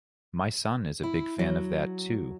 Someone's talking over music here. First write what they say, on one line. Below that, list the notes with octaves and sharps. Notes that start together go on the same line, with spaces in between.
My son is a big fan of that too.
E4
F#3